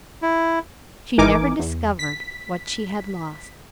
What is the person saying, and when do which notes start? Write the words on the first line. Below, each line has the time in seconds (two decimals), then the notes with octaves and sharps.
She never discovered what she had lost.
0.22 E4
1.18 G#1 E3 D#4 A#4 G#5 D6
1.59 E2
1.99 B6